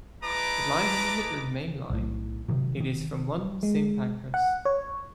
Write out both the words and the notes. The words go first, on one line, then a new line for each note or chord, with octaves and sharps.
It lies on the Midland Main Line, it is from London Saint Pancras.
G#3 E4 B4 A5 A#5 D6
B1 A2
C3 D#3 F#3
D#3
G#3
F#5
C#5